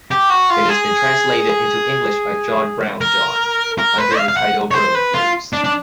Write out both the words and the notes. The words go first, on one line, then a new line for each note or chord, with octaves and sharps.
It has been translated into English by John Brownjohn under the title Berlin Blues.
G4
F#4
F4
G#4
A#4
A#4
B4
F5
F5
F#5
C#5
C5
B4
F4
D4
D4